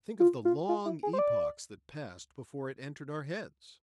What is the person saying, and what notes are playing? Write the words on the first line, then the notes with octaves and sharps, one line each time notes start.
Think of the long epochs that passed before it entered our heads.
F4
F4
F4
E4
G#4
C5
D5